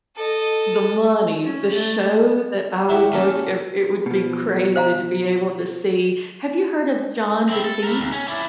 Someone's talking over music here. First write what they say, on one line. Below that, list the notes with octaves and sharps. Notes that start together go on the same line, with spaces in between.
the money, the show that I would go to it it would be crazy to be able to see. Have you heard of John Batiste?
A4 D#5
C#4
A3
E4 F#4 G4 A#4 E5
A#3 C#4 A4 A#4 B5
B2 F3
C5 F5 A#5
C4 E4
A4
E4 A#4
D#2
C#4
E4 D5